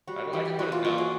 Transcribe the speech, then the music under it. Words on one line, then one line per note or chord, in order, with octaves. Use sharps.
I don't I don't wanna know.
G3 F#4
E3 G4
E3 F#4
F4
A#3 F#4
G#4